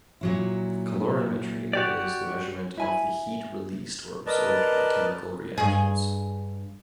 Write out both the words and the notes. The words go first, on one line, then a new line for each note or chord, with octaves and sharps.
Calorimetry is the measurement of the heat released or absorbed by chemical reactions.
A#2 F#3 E4
F#4 G4 D5
E4 G#5 B5
A#4 B4 D5 D#5 A5
G2 G#4